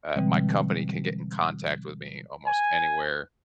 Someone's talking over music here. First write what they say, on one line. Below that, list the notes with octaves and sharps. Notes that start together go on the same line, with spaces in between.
uh, my company can get in contact with me almost anywhere
B2 D3 E3 G3 G#3 C4
G#5